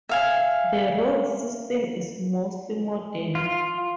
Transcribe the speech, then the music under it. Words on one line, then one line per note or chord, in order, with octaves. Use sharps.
The road system is mostly modern.
E5 F5 G#5
F4